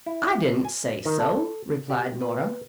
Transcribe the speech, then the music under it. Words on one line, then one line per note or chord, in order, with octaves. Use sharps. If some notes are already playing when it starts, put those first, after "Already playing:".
"I didn't say so," replied Nora.
E4
G#5
D#3
A4
G4
B4